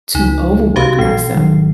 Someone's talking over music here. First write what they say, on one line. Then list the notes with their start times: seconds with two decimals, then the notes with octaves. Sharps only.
to overwork myself,
0.15 C#2 D#4
0.76 C2 F#4 G4 F5
0.99 A#1 A#2 E3 C7
1.35 G#1 D#3 F#3